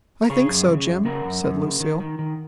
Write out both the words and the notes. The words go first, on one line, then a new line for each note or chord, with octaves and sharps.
"I think so, Jim," said Lucille.
A#4
C#3 G#4 C#5
F#2
C#3
F#2
C#3 F#4 A#4
F#2
F#2
C#3
D#3
D#3
D#3